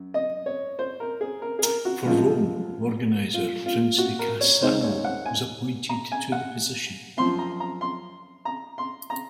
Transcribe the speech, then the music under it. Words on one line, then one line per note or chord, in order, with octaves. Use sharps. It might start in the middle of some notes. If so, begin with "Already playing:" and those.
For Rome organizer, Prince Di Cassano was appointed to the position.
Already playing: F#2
D#5
C#5
C5
A#4
G#4
A#4
G#4
A#4
F#4
F#2 F3 G#3 C4 F4
F4
F4
F#4
A#4
C#5
D#2 D#3 G#3 C4 C5
C#5
F#5
G#5
A#5
G#5
F#5
F#2 F3 C4 C6
A#5
A#5
C6
A#5
C6
A#5